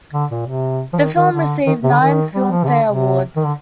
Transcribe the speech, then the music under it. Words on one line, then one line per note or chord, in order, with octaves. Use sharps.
The film received nine Filmfare Awards.
D3
A#2
C3
F3
D#3
D#3
D3
D#3
C3
D3
D#3
G3
F3
C3
D3
C3
D#3
D3